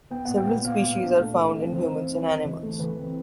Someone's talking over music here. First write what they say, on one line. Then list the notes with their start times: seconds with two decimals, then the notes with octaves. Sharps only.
Several species are found in humans and animals.
0.11 B3 G5
0.25 A#2 F#5
0.38 G5
0.47 B3
0.65 B3 F5
0.82 A#2
1.01 D4
1.19 A3
1.36 A3
1.55 C4
1.72 E3 C5
1.90 C4
2.09 D#4
2.27 D#4
2.45 E3
2.63 A3
2.80 E3 B4
2.99 C4